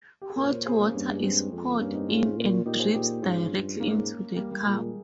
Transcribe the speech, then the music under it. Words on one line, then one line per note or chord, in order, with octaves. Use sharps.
Hot water is poured in and drips directly into the cup.
G4
G#4
A#2 A#4
C5
A#4 C#5
G#4 C5
A#3 C#4
G2 A#3 C#4
G#3
G#3 C4
F2
G2 A#3 C#4
C4 D#4
G#2 C#4 F4
A#2
A#2 D#4 G4
G#4 C5
A#2 D#4 G4
G#2 C#4 F4
G2
G#2 A#3 C#4
G3 A#3
G3 A#3
A#2 G#3